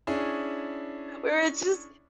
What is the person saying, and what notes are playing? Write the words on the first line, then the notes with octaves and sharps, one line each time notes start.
we were just
C#4 D4 E4 G#4